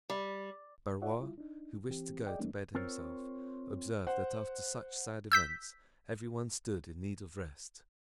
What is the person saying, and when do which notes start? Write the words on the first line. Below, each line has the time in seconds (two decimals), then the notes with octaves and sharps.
Barrois, who wished to go to bed himself, observed that after such sad events every one stood in need of rest.
0.10 G3
1.02 F4 C#5 D5 E5 F#5
1.19 G3 E4 F4
1.38 D4 D#4
1.89 E3 C4 G4
2.27 G#4 D5 D#5 G5
2.39 E3 G3 A3 A#3 C#4 D#4
2.75 C4 F4 A#4 C5 C#5
4.07 C5 F#5
5.32 E6 G6 B6